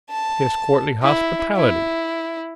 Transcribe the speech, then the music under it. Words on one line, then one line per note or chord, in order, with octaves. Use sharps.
His courtly hospitality?
A5
E4
E4